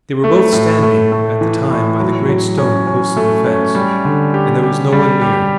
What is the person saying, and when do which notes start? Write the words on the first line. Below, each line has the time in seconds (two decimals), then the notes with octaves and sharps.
They were both standing at the time by the great stone close to the fence, and there was no one near.
0.24 A3
0.52 A2
0.83 A3
1.12 A3
1.41 E3
1.70 A2
2.00 F#3
2.29 F#3
2.58 C#4
2.87 C#4
3.17 A3
3.46 C#4
3.75 G3
4.05 D3
4.34 G4
4.63 G4
4.93 G3
5.22 G4